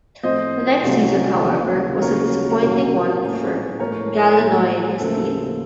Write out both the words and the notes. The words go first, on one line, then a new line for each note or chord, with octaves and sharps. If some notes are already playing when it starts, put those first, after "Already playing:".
The next season however was a disappointing one for Ghalenoi and his team.
A2 F3 C4 C5 D#5
C2 C3 F#3 A3 C#4
D#2 C#3 F3
D#2 C#3 F#3 A#4 C#5
C2 A#2 F#3 A#3 C#4
A2 A3 C#4
A2 F3 A#3 A#4 C#5
A2 F3 A#3
D#2 C#3 F3 A3 A4 C5